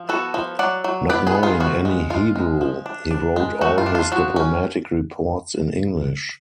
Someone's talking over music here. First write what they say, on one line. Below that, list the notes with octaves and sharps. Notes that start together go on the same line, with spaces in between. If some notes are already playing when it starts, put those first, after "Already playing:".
Not knowing any Hebrew, he wrote all his diplomatic reports in English.
Already playing: F3
B3 F#4 A4
F3
F#3 D5 F#5
F#3
B3 B4 D5
G#4 B4
B3
F4 G#4
F3 F#4
G#3
G#3 F4
G#3
F3
D4
D4
G#3
A3 F#4
F4
D4
F4
F3 F#4
C#4